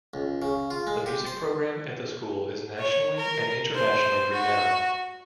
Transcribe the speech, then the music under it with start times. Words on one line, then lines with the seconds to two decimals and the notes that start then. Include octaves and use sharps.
The music program at the school is nationally and internationally renowned.
0.14 C#2
0.42 C#3
0.71 F4
0.87 G#3
1.06 G4
1.26 C5
2.78 C#5
3.16 A#4
3.75 C5
4.32 F#4